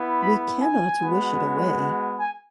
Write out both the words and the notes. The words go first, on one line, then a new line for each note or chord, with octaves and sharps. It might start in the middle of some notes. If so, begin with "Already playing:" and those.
We cannot wish it away.
Already playing: B3 E4
B5
G#5
G#3 B3 F#4
G#5